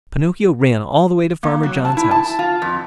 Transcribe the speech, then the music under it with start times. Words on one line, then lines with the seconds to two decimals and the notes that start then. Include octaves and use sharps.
Pinocchio ran all the way to Farmer John's house.
1.43 A#3
1.63 F#3
1.85 A5
1.97 E4
2.11 A5
2.39 F4
2.62 F2